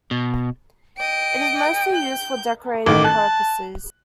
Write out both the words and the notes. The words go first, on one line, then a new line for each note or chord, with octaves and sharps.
It is mostly used for decorative purposes.
B2
D#5 G5 D7
G6
A1 D#3 A3 D6
A5 F#6